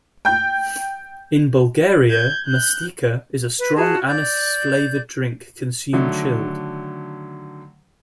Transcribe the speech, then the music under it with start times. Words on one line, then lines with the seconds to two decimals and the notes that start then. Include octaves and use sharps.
In Bulgaria mastika is a strong anise-flavoured drink, consumed chilled.
0.25 G5 G6
2.09 G6 G#6
2.46 F#6 G6
3.59 B4
3.76 F4 F#4 G#4 A5
4.06 D5 G6
5.93 D3 D#3 F#3 A3